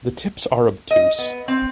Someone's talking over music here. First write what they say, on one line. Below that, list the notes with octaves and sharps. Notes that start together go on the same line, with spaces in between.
The tips are obtuse.
D#5
B3
C4